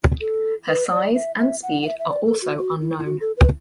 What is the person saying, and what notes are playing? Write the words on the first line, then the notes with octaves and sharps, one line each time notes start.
Her size and speed are also unknown.
A4
B4
D5
E5
E5
F#5
F#5
E5
E5
D5
A4
F#4
F#4
E4
E4
F#4
A4
B4